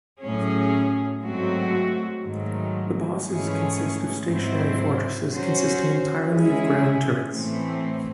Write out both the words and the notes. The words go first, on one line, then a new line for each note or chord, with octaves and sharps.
The bosses consist of stationary fortresses consisting entirely of ground turrets.
A2 F#3 C#4 G#4
G#2 F#3 A3 C4 F#4
G#2 D#3 F#3 A3
G#2 E3 A3 C#4 G#4
G#2 F#3 C4 E4 C5
F#3 C#4 F#4 C5
G#3 C#4 E4 G#4
A2 E3 A3 C4